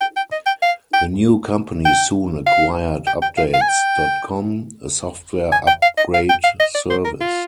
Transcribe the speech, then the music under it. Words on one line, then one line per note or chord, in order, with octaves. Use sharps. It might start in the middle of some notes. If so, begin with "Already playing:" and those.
The new company soon acquired Updates dot com, a software upgrade service.
G5
G5
D#5
G5
F5
G5
G5
F5
G5
G5
F5
F5
G#5
G5
G#5
G5
F5
D#5
F5
G5
F5
D#5
D5
C5
A#4
F4